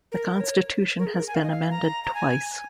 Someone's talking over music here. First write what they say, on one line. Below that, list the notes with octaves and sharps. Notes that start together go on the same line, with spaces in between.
The Constitution has been amended twice.
A#4
A#4
C#5
A#4
G#4
A#4
G#5
F5
D#5
F5
A#5
A#5
G#5